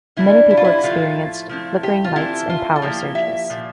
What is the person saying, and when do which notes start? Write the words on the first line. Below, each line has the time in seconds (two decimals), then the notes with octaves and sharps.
Many people experienced flickering lights and power surges.
0.17 E3 G3 D4 E4
0.51 E4
0.57 F4
0.64 E4
0.83 A2 F3 A3 E4 F4
1.49 F3 A3 C4 E4
1.83 G4
2.04 F4
2.16 E3 A3 C4 E4
2.50 F4
2.76 A4
2.82 F3 A#3 E4 G4
3.15 E5
3.50 A#2 F3